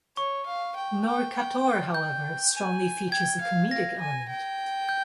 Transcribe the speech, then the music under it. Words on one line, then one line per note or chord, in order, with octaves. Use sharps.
Knorkator, however, strongly features a comedic element.
C#5 C#6
F5
G5
G5
G5
G5 G6
G#5
G5 G#6
F5
F5 A#6
G#5
G5
G6